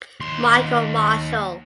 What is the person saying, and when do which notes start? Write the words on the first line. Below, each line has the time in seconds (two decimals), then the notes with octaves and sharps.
Michael Marshall.
0.20 D#2 C6